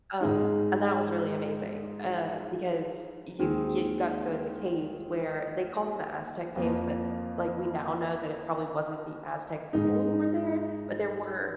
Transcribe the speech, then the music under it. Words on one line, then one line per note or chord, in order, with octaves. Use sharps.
um, and that was really amazing, uh, because you yeah, you got to go in the caves where they call them the Aztec caves, but, like, we now know that it probably wasn't the Aztec people who were there, but there were,
G#2 G#3 D#4
D#2 D#3 G#3 C4 G#4
F2 F3 A#3
G#2 G#3 D#4